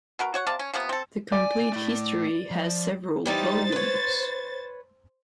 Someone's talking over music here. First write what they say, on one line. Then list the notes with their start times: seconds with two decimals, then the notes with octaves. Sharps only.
"The Complete History" has several volumes.
0.19 B2 F#4 A#4
0.34 F#4 C#5 F#5
0.47 C3 D5 F5 A5
0.59 C#4
0.74 C3 F3 A#3 B3
0.89 C4 A4
1.32 D5 G#5
1.72 A3 E4
2.51 F3
3.26 E3 G3 D#4 C5 A6
3.72 B4 C#5